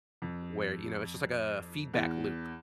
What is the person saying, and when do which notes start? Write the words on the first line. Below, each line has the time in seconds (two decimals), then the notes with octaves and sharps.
where, you know, it's just like a feedback loop.
0.22 F2
1.94 E2